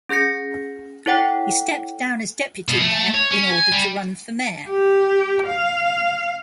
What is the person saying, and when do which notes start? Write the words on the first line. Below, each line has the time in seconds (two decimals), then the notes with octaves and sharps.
He stepped down as deputy mayor in order to run for mayor.
0.09 C#4 G#4 G6 A#6 C#7
1.06 E4 A4 C#5 F#5 G5
2.68 B2
2.81 A3
3.14 C#5
3.31 C#4
3.50 G#5
3.72 G3
4.69 G4
5.47 F5